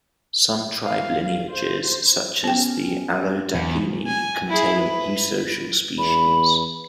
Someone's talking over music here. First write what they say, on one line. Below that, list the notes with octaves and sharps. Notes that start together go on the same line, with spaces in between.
Some tribe lineages, such as the Allodapini, contain eusocial species.
F5
C5
B3 C#4 G5
E2
G#5
E4 G#4
B4
E2 B5